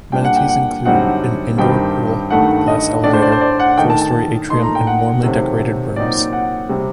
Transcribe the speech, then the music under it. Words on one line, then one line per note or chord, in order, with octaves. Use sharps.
Amenities included an indoor pool, glass elevator, four-storey atrium and warmly decorated rooms.
A#2 G3 D4 G5
F#5
G5
F#5
F#2 D3 G3 C4 D#4 F#5
G2 D#3 G3 C4 D#4 G5
G2 D#3 A3 D#4 F#5
D#5
A2 A3 D4 D5
C5
D5
C5
D5
F#5
D#3 A3 D#4 G5
A5
A5
A#2 A3 D#4 C6
A#5
G5
F#5
C3 D#3 F#3 A3 C4
A#2 F#3 C4 D#4 D5
F#5
C3 G3 C4